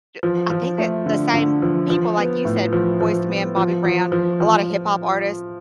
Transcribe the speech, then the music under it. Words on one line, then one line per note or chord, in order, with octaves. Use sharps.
j I think the the same people, like you said, Boyz II Men, Bobby Brown, a lotta hip hop artists
F3
F3
A3
D3
D3
F3
F3
B3
A2
F3
F3
B3
F3
F3
F3
F3